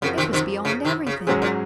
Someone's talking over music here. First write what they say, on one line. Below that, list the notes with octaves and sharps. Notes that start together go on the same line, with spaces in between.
It was beyond everything.
F#2 C#3 F3 C4 F#4 A#4
C3 D#3
C3 D#3
C#3
C3 D#3
C#3
G#2 C3 F#3 C#4 G#4
A#2